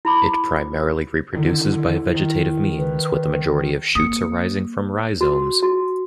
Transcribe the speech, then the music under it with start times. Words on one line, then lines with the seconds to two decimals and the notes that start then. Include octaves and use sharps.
It primarily reproduces by vegetative means, with the majority of shoots arising from rhizomes.
0.05 E4 B5 D6
1.35 D3 D#3 E4
2.15 D#3
2.78 B4
3.95 A#3 D#6 C#7
5.21 F#4
5.63 F#4